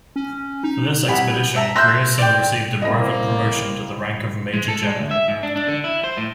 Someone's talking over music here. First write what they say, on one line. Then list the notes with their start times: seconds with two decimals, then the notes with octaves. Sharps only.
For this expedition Grierson received a brevet promotion to the rank of major general.
0.16 C#4
0.63 D#4
1.08 C2 F#5 G#5 B5
1.56 E5 A5 A#5
1.76 A4 E5 C6 F#6 G6 A#6
2.18 D5 G5
2.82 C2 C#3 A#3 C4 E4 D#5 A5 A#6
4.53 G#3
4.68 A4
4.82 G#3
4.99 D2
5.11 E5
5.28 G#2
5.43 D4
5.56 D4
5.68 D3
5.84 E4
6.04 C5
6.17 A2